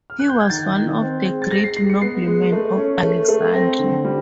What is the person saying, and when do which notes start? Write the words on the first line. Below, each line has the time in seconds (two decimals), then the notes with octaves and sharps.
He was one of the great noblemen of Alexandria.
0.10 F6
0.19 F#6
0.30 G6
0.40 G#6
0.50 D#3 A6
0.75 D#3
1.01 C4
1.26 G#3
1.42 A6
1.51 G#3 A#6
1.64 C7
1.76 G#3 C7
1.90 C#7
2.02 B3 C7
2.27 G#3
2.52 A3
2.77 C#4
3.03 A3
3.28 A3
3.53 C4 A#6
3.79 D3
4.05 G3